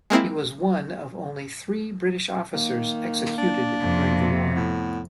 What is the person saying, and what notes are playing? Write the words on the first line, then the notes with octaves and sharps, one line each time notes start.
He was one of only three British officers executed during the war.
G#3 A#3 C4 E4
D#3 A#3
D4
F2 C3
A2 B3